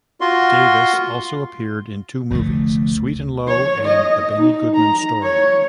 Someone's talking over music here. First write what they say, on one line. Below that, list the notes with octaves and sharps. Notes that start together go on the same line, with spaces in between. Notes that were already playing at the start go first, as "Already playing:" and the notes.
Davis also appeared in two movies, "Sweet and Low" and "The Benny Goodman Story".
F4 F#4 C6
F1 D2 A3
C#5
D#5
D#4
A#5
C#5